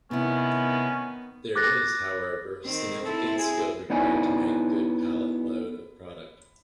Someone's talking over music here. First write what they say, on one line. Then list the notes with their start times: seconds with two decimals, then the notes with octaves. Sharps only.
There is, however, significant skill required to make a good pallet load of product.
0.11 C3 D#3 B3 C#4 E4
1.56 D6 F#6 A6 A#6
2.65 D#3 C4
3.05 C4 E4 A4
3.38 G#4
3.90 B3 D#4 E4 D5 G#5